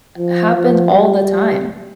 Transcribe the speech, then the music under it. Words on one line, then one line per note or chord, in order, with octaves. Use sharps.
happen all the time.
F3
F3
G3